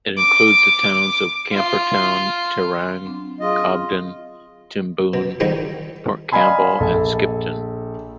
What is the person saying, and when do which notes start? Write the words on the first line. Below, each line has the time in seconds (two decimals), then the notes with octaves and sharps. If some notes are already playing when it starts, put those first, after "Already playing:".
It includes the towns of Camperdown, Terang, Cobden, Timboon, Port Campbell and Skipton.
0.18 D6
1.53 F4
3.06 F#3 C4 D4
3.40 F#3 F4 G#4 D#5
5.13 B2
5.40 G#2 D#3 G3 G#3
6.32 D5 D#5 F5 G#5 B5 C6
6.80 A#1 A4